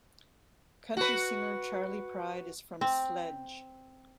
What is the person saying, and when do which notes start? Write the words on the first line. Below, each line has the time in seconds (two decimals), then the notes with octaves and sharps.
Country singer Charley Pride is from Sledge.
0.97 F#4 B4
2.81 C4